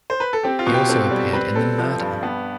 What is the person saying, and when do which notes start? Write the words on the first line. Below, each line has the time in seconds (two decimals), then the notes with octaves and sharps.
He also appeared in the Murder!
0.10 C5
0.20 B4
0.33 A4
0.43 C4 G4
0.59 F4
0.67 B2
0.74 G4
0.88 C4 A4
1.11 G3
1.33 C4 B4
1.55 C4 A4
1.78 F3
2.00 G2
2.22 B3 G4